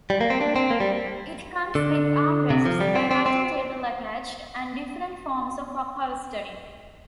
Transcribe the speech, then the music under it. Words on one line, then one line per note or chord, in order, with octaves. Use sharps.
It comes with armrests, a writing-table attached, and different forms of upholstering.
G3
A#3
C4
D4
C4
A#3
G3
D3
C3
F3
G3
C4
C4
C4